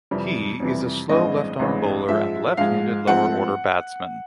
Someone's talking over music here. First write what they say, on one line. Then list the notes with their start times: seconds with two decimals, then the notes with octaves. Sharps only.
He is a slow left-arm bowler and left-handed lower order batsman.
0.11 F2 C3 E3 G3
0.60 F2 C3 E3 G3
1.09 A1 G2 E3 G#3 C4 D#5
1.59 A1 G2 E3 G#3 C4
2.09 G#2 F3 G#3 E5
2.57 G#2 F3 G#3 F5
3.07 G#2 F3 A3 C4 F#5